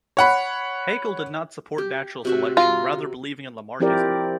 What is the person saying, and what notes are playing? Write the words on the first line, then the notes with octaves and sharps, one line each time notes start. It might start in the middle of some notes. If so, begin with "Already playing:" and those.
Haeckel did not support natural selection, rather believing in Lamarckism.
C#5 F#5 B5
G4
C3 F#4 E5
F4 A#5
F3 C4 E4 G4 A#4 D5